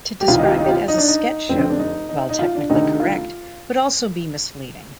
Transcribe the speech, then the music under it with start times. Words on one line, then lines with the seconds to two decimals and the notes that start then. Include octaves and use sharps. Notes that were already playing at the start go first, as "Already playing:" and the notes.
To describe it as a sketch show, while technically correct, would also be misleading.
0.21 G4
0.28 C2 C3 D#3 F4
0.39 D#4
0.43 G4
0.49 F4
0.59 D#4
0.64 G4
0.69 F4
0.88 D#4
0.98 D4
1.08 D#4
1.48 F1 F2 D3 C4
1.59 C4
1.70 D4
1.79 D#4
2.09 D#4
2.29 D#4
2.39 F4
2.55 D4
2.69 D2 C3 D#3 D#4
3.00 F4